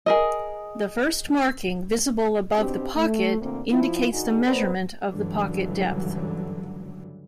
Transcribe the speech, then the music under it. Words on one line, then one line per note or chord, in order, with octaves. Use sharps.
The first marking visible above the pocket indicates the measurement of the pocket depth.
G#4 A#4 D#5
B2 C4 D4 G4
A3
A#2 D3 A3 A#3 C4
F3 E4 F4
D3 D#4 F#4 G#4
F2 B3 C4 A#4 C5 D5
C#2 G2 D3 E3 F#3